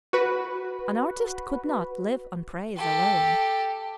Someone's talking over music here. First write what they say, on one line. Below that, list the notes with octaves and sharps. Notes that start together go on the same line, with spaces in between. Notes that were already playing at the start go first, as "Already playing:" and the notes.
An artist could not live on praise alone.
F#4 B4
G4 A4